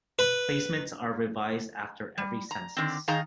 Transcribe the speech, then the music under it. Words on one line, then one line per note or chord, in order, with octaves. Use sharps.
Placements are revised after every census.
B4
G3
A#5
D3 D#3 C4
D#3 D#4 G#4 F5 A#5